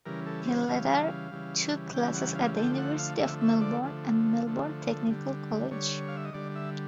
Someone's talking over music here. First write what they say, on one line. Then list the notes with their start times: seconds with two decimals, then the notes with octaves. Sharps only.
He later took classes at the University of Melbourne and Melbourne Technical College.
0.06 C#3 E3 G3 A#4
0.26 A4
0.47 C5
0.62 F#5
0.67 C#3 E3 G3 F5
1.31 C#3 E3 G3
1.93 C#3 E3 G3 G5
2.15 F#5
2.35 F5
2.56 D3 F3 A3 G5
2.78 F#5
2.99 F5
3.19 D3 F3 A3 E5
3.41 E5
3.61 D5
3.83 D3 F3 A3
4.46 D3 F3 A3
5.08 D3 G3
5.71 D3 G3 C#5
6.08 F5
6.17 E5
6.25 D#5
6.33 D3 G3 D5
6.55 E5